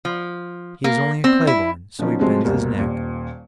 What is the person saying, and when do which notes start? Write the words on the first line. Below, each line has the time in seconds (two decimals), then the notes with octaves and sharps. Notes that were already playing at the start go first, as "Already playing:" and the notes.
He is only a clay-born; so he bends his neck.
0.05 F3
0.84 A#3
1.24 C4
1.47 E4
1.99 D3 F3 F#3 B3 C#4 D#4
2.19 C3 F3 F#3 G#3 A3 C4
2.45 D2 G2 B2 A#3
2.79 D#1 A#2